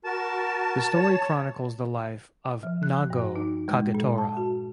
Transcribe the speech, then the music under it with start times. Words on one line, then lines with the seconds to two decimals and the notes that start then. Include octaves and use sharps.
The story chronicles the life of Nagao Kagetora.
0.05 F#4 A#4 A5
0.94 C#5
2.63 F3
2.83 F#6
3.10 G2
3.36 D#4
3.68 G#3
3.94 A#2
4.18 A5
4.37 F#4